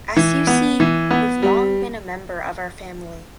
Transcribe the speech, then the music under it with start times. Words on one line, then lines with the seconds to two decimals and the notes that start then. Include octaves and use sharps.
As you see, you’ve long been a member of our family.
0.17 E3
0.47 B3
0.80 E3
1.11 B3
1.42 G3